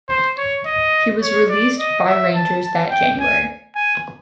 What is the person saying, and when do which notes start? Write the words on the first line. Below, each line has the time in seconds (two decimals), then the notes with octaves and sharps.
He was released by Rangers that January.
0.09 C5
0.38 C#5
0.66 D#5
1.22 C#5
1.50 D5
1.79 D#5
2.07 E5
2.35 A5
2.63 A5
2.91 G5
3.20 G#5
3.76 G#5